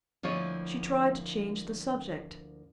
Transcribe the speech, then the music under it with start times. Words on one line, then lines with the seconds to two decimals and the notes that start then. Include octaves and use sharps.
She tried to change the subject.
0.23 D2 F3 A#3 E4 C#5 D#5